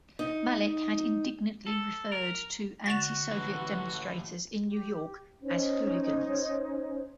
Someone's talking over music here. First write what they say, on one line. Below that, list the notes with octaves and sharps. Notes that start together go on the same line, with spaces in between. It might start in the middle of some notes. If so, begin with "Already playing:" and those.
Malik had indignantly referred to anti-Soviet demonstrators in New York as "hooligans".
D#4
A4
A#4
D3 F#4 C#6 A6 E7
A2 E3
G4
C#4 D#4 C5 C#5